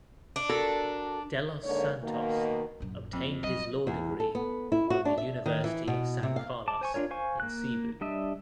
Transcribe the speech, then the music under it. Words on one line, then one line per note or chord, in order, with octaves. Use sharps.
Delos Santos obtained his law degree from the University of San Carlos in Cebu.
D4
F#4 A4 A#4
G#2 D3 A#3 C#5
B2 D#3 A#3
A#1 F#2
F2 A#3
F#3 G3 D#5
E2
A4
B3
E4
F#4
D4
E5
D#3
E3
B2
C3
F5
A5 D6
C5 G#5 C#6
D4 F4 A#4 C#5
C5 F5 G#5 C#6
A#3 F#6
G3 D4 D#5 E5